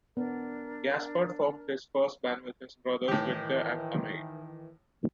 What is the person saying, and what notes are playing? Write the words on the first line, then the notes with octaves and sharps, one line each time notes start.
Gaspard formed his first band with his brothers Victor and Amade.
B3 D4 A#4 D5
A2 D#3 E3 G4